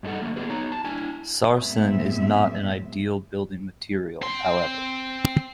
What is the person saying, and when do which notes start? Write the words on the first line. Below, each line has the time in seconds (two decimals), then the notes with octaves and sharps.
Sarsen is not an ideal building material, however.
0.03 G2 D4 D#4 A4 F#5
0.21 D3 F#3 A3 A#3
0.36 A#3 B3 F#4 G#4 B4
0.50 B3 D#4 C#5 A#5
0.72 A5
0.84 D4 E4 G#5
1.59 F#2 A2 G#3 B3 C4 E5
4.22 C4 C6